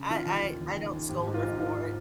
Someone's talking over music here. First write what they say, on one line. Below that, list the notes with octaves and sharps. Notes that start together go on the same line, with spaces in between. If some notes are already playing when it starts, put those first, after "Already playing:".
I I I don't scold her for it.
Already playing: C#3
D#3 F4
D#3
D#2
D#2
D#3
D#2
G#1 G4
G#2 G4
F4
G#1 D#4
G#2 F4